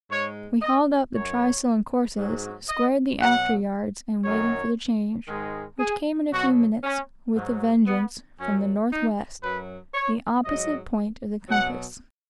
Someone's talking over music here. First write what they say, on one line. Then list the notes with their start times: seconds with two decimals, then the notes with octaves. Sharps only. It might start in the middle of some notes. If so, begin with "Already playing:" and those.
We hauled up the trysail and courses, squared the after yards, and waited for the change, which came in a few minutes, with a vengeance, from the north-west, the opposite point of the compass.
0.10 G#2 G#3 C#5
0.62 D#5
1.14 F#2 F#3 C#5
2.17 G#2 F#3
2.69 D#5
3.21 B2 F#3 F#5
4.24 F#2 D#3 F#3 C#5
5.28 G#2 D#3 G#3
5.80 G#4
6.31 B2 F#3 F#4
6.83 C#4
7.35 G#2 F#3
7.87 B3
8.39 F#2 F#3 C#4
8.91 D#4
9.42 F#2 F#3 B4
9.94 C#5
10.45 G#2 F#3 D#5
11.49 B2 F#3 F#5